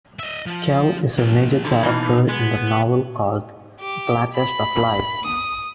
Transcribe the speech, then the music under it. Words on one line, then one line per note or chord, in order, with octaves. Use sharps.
Kell is a major character in the novel called "Blackest Of Lies".
D#5 E5
F3
F3 A#3
D3 F3 D#4 B5
B2 E3 A#3
G#3 B3
G4
B5
D#6